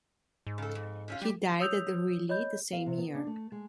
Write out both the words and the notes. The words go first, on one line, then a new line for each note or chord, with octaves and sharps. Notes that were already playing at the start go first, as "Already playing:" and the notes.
He died at Reuilly the same year.
G#2
C#3 A4
F2
C3 C#4 F4
G3 G4
C#5 D#6 E6 G6 F7
C#5 D#5 B5 G6
F5
C3
B3
D4
A3
G#3